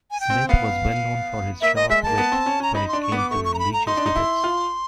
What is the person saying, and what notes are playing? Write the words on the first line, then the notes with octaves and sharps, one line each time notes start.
Smith was well known for his sharp wit when it came to religious debates.
G#5
G5
C4
B3 F5
A#3 E5
D#5
G#3 E5
A#3 A5
B3
C4
C#4
C#4 A#5
D#4 B5
C6
D4
C#6
B3 D6
A3 C#6
C#6
A#5
B5
A#5
D#4 C6
D4
D#4
E4
F4